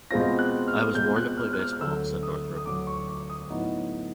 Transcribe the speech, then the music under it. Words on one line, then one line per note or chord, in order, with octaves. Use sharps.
"I was born to play baseball", said Northrup.
B2 G#3 C4 F4 A#6
F#6
F6
B2 G#3 C4 F4 G6
F#6
F6
F#6
F6
F6
D2 D3 F#3 E6
D#6
D#6
D2 D3 F#3 D6
C#6
D6
D#6
A2 F#3 B3 D#4